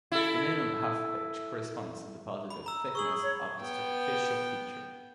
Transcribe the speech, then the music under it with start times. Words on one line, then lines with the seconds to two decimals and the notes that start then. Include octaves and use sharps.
The minimum half-pitch corresponds to the deposited thickness of the sacrificial feature.
0.12 E4 A4
2.50 B5
2.66 A#5 E6
2.95 G#4 C#6 E6 F#7
3.22 C#5
3.59 B3 G5